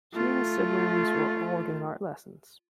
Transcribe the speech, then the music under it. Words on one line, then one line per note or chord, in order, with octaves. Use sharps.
He and his siblings were all given art lessons.
A3 F4